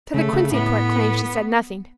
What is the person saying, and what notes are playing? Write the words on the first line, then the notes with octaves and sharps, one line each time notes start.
To the Quincy-port claim she said nothing.
C#3 A3
C#3
A2 B3